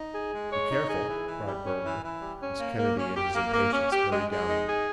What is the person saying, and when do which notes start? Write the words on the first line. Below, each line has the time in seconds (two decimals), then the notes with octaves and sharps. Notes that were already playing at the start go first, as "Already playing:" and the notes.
"Be careful!" cried Burger, as Kennedy, in his impatience, hurried down them.
Already playing: D#4
0.13 G#4
0.32 G#3
0.50 C#5
0.70 D#4
0.89 G#4
1.08 E3
1.26 E3
1.45 G3
1.65 C#4
1.83 E3
2.03 E3
2.22 G3
2.41 C#4
2.59 A#3
2.77 A#3
2.97 C#4
3.16 G4
3.35 A#3
3.53 A#3
3.72 C#4
3.92 G4
4.10 G#3
4.29 G#3
4.48 D#4
4.67 G#4